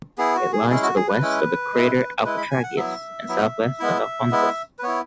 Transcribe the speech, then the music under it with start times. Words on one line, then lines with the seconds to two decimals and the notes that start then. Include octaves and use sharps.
It lies to the west of the crater Alpetragius, and southwest of Alphonsus.
0.18 B3 E4 G#4
0.36 F#4
0.53 G#4
0.70 G#3 C#4 E4 G#4
0.83 F#4
0.96 G#4
1.09 B4
1.22 G#3 C#4 E4
1.73 G#3 E4
2.25 G#3 E4 B4
2.38 B5
2.51 G#5
2.63 F#5
2.76 F#3 B3 E4 E5
3.28 F#3 B3 E4
3.80 G#3 B3 E4
4.31 G#3 B3 E4
4.79 B4
4.83 B3 E4 C#5